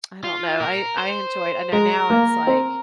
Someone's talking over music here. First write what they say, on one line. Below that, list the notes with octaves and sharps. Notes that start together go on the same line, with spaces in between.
I don't know. I I enjoy it. I know now it's like
F4
A#4
C5
G#3 A#4
A#3
C4